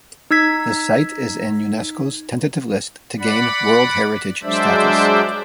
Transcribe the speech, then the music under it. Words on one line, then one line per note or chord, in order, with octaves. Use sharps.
The site is in Unesco's tentative list to gain World Heritage status.
D#4 E6 G#6 B6
D5 F#5 B5
F#3 G#3 D4 C5 D5 E5